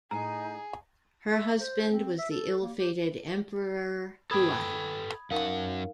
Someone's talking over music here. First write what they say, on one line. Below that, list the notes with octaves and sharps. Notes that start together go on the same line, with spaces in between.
Her husband was the ill-fated Emperor Huai.
A2 D#4 G#4 F#5 G#5 A#5
E5
C5
C4
E5
A4
A#3
G4
A4 B4 G5 B5 D#6 G#6
F#2 D#4 A#4 F5 F#5